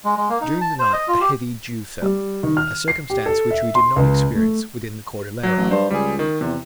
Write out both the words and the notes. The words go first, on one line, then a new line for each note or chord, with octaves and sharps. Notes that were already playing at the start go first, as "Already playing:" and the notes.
During the night a heavy dew fell, a circumstance which we did not experience within the Cordillera.
G#3
G#3
A#3
D#4
A5
C5
D#5
F4
G4
G3
D#3
F6
C7
G4
A4
E5
C6
C#2
A3
F#3
A1
G2 C5
C#2 G3 G#4
D#3
E2 C3